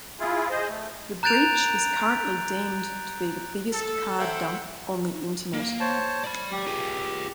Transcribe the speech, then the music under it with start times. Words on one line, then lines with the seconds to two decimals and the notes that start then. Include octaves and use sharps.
The breach is currently deemed to be the biggest card dump on the internet.
0.20 E4 F4 G#4
0.50 G#4 C5 D#5
0.69 A3
1.23 A#5 F#6 G6 A6 D7 F7
3.73 A4
4.19 A4 C5 E5 F#5 G5
5.54 A#3
5.80 C5 C#5 A5
6.24 D5 B5
6.52 G4
6.67 F4 G#4